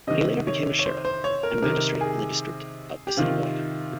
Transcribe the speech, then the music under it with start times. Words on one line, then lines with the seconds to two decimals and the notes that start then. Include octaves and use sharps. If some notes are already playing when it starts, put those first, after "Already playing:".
He later became a sheriff and magistrate in the District of Assiniboia.
0.07 C3 D#3 D#5
0.47 C#5
0.79 C#5
0.86 C5
1.05 C5
1.24 C#5
1.43 A#4
1.62 C3 D#3 A#4
2.01 G#4
3.07 G4
3.17 C3 D#3 F4